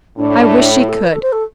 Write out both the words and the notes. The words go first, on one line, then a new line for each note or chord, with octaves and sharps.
I wish she could.
A2 D4
E4
A4
B4
A4
C5
A4